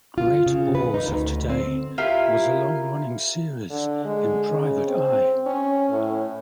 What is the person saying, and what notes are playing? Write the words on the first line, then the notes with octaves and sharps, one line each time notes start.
"Great Bores of Today" was a long-running series in "Private Eye".
F4
C#3
B4
D#4
D2
C4
E4 F4 G4 A#4
D3
G#3
C#3
C4
C#4
A2